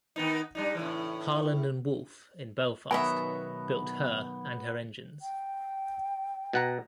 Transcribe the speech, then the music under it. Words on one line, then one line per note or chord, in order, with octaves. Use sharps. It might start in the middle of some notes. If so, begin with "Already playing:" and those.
Harland and Wolff in Belfast built her and her engines.
D#3 B3 D#4
G3 D4 D#4
A2 C#3 E3
B1 B2 D#3 B3 C#5 D#5 E5 G#5
G5
B2 F#5 A#5